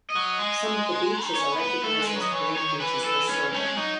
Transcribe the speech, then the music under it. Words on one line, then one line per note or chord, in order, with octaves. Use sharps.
Some of the beaches are recognized as great beaches for surfing.
D#5
F#3
G#3
D#4
C#4 C#5
B3
B4
B3
A3 A4
G#3
B4
F#3
D#5
E3 C#5
D#3 C#5
E3 B4
A4
C#4
A3 C#4
G#3
F#3 D#4